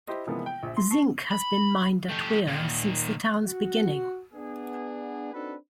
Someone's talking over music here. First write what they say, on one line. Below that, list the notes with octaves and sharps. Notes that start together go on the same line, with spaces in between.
Zinc has been mined at Weir since the town's beginning.
E4 G4 C5 D#5
C3 E3 F3 G#3 A#3 B3
G5
A#1 E5
C6
A5 C#6 C7
B5
A3 G4
A#2 D#3
F#4
B3 D4 G#4
C4 D4 D#4 F#4 A4 B4